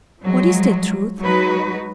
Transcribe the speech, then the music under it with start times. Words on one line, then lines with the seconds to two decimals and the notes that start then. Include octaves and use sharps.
What is the truth?
0.21 F3 F#3 G#3
1.20 F#3 G#3 D#4 F#4 B4